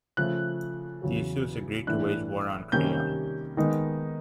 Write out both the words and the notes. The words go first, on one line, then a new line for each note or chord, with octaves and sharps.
Theseus agrees to wage war on Creon.
C#3 F3 A3 F#6
E2 C#3 F#3
A2 E3 A3 D4 F#6
C3 D#3 G3 A#3 C#4 G6
D#3 G#3 B3 D#4